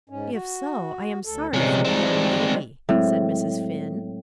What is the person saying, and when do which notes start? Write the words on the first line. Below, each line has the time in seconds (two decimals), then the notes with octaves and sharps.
"If so, I am sorry for the young lady," said Mrs. Finn.
0.09 G#2 C#4
0.33 F#4
1.25 D2 A4
1.54 C3 F3 G3 G#3 C#4
1.85 C4 D#4
2.89 A2 F#3 G#3 C4